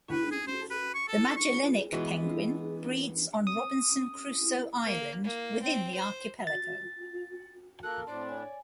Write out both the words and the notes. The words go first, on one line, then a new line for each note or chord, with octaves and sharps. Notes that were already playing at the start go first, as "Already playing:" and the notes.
The Magellanic penguin breeds on Robinson Crusoe Island within the archipelago.
B4
G#4
C5
B4
C#6
A4
C#6
E3 G#3 B3 F#4
D#6
A#3
A#3
C4
C5
A6
A#3 A4 A#4 A5 F#6
A2 C4 D4 C5 D5 C6
C#5 G#5